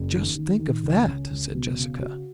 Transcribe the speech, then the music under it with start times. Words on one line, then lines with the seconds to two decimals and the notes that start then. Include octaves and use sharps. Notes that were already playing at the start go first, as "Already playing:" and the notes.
"Just think of that!" said Jessica.
Already playing: F#1
0.12 D#3
0.36 D#3
0.59 D#3
0.83 C#2
1.07 C#4
1.31 C#2
1.54 B2
1.78 C#3
2.02 F#4